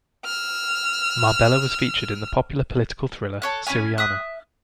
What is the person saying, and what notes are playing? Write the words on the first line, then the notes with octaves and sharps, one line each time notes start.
Marbella was featured in the popular political thriller, "Syriana".
E6 F6
A4 C#5 F#6
C#4 E4 C#5 G#5
E5 D#6 F#6